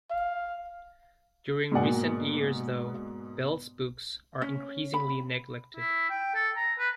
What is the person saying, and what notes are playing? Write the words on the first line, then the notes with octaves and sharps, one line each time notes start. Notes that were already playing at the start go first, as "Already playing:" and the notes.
During recent years though, Bell's books are increasingly neglected.
F5
G#2 B2 A#3 D5 F#5 G#5
C#4
B5
E4
G5
A4
A#5
B4